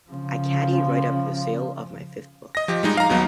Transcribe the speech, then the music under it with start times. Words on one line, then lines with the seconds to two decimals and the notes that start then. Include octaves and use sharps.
I caddied right up to the sale of my fifth book.
0.10 C#3 F3
2.55 D#5 A#6
2.68 F3 G4
2.83 G3 G#3 D#4
2.97 F5 A#5
3.09 D#2 F#3 B3 D#4